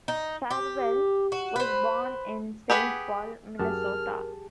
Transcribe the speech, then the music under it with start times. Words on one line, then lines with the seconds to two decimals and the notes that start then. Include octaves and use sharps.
Farwell was born in Saint Paul, Minnesota.
0.08 D#4
0.51 G4
1.32 F#4
1.56 B4 C5
2.70 G4 G#4 B4 F#5
3.60 F#2 G4 G#4 A#4 F#5 A5 F6